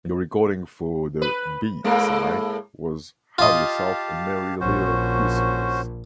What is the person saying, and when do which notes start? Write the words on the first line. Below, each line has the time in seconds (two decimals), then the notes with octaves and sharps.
The recording for the "B" side was "Have Yourself a Merry Little Christmas".
1.22 B4
1.84 A2 G#3 A#3
3.38 F4 G4 D#5 F5 A5
4.61 A#1 C#4 F#4 C5